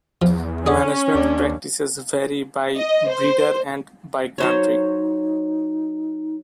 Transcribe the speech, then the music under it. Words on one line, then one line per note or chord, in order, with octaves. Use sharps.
Management practices vary by breeder and by country.
E2 F3
C#4 G#4 D5 F#5
D#2 D4
D#5
C5
F#3 D#4 C5 C#5